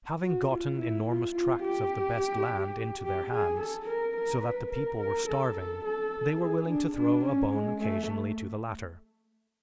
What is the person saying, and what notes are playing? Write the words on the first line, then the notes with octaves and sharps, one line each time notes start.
Having gotten enormous tracts of the best land into their hands, so that the people were starving, they were willing to throw a bone occasionally to the latter.
F#4
F4
E4
F4
F4
G4
G4
G#4
A4
A#4
A#4
B4
A#4
A#4
A4
A4
A4
G#4
D4
D4
C#4
G#3
A3